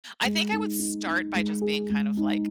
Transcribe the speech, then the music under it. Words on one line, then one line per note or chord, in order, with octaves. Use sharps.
I think I would start by just being kind of, like,
G#3
D#4
D#4
D#4
G#3
G#4
G#3
D#4